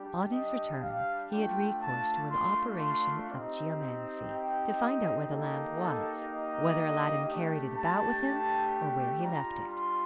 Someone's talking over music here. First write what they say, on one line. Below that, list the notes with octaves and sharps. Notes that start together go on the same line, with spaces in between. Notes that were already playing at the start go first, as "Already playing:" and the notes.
On his return he had recourse to an operation of geomancy to find out where the lamp was--whether Aladdin carried it about with him, or where he left it.
Already playing: G3 D4 G4
D#5
F5
A3 D4 F4 G5
A5
C6
C6
C4 D#4 G4
G5
D#5
A#3 D#4 G4 A4
A4
D#5
A3 D4 G4
A5
G3 D4 F4 A#5
C6